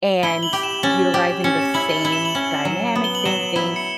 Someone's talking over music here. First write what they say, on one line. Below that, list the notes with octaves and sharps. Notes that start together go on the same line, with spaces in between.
and utilizing the same dynamic, same thing,
E4 G7
F#7
G4
E7
C#4 A6
G4
C#4 C#7
E7
E4 F#7
G7
E4 F#7
E7
F#7
C#4
F#3
B3
G7
F#7
F#3 E7
E4
C#7